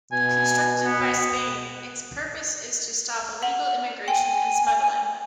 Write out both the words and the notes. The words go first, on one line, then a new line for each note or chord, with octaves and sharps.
Constructed by Spain, its purpose is to stop illegal immigration and smuggling.
B2 G#5
B3
F#5
G5 G#5